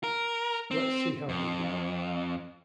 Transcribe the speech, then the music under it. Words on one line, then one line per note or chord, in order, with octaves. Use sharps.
Let's see how they do.
A#4
C4
F2